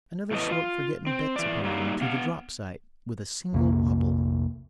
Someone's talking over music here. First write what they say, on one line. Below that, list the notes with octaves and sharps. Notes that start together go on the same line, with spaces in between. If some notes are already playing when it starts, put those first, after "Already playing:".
Another sort for getting bets upon, to the drop-sight, with a single wabble!
A2 E3 A3 B3 D#5
F4
C4
E3 D5
F#3 G3 A#3 D#4 G4 F5
B3 F5 F#5
A#1 F2 C3 A#3